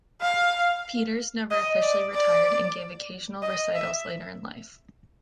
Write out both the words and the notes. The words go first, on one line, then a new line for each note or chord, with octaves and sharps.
Peters never officially retired and gave occasional recitals later in life.
F5
D#5
D5
D5
D#5
E5